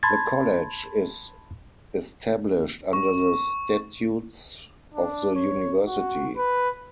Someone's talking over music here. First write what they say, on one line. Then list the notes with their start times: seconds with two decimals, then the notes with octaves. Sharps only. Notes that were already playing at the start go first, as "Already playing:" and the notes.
The College is established under the Statutes of the University.
0.03 A5 B5 C6 G#6 A6
2.93 C#6
4.94 D4
5.35 C#5
5.87 F#4
6.37 B4